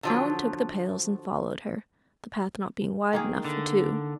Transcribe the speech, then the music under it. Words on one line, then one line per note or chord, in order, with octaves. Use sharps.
Alan took the pails and followed her, the path not being wide enough for two.
D3 F3 F#3
D#3 A#3 G#4
D3